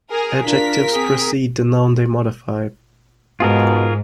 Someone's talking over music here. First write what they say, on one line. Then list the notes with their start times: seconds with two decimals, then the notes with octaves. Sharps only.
Adjectives precede the noun they modify.
0.10 G#4 A#4
0.45 D4 F4 A#4 B6
0.91 C4 G#4
3.40 G#2 B2 F4 G#4 A#4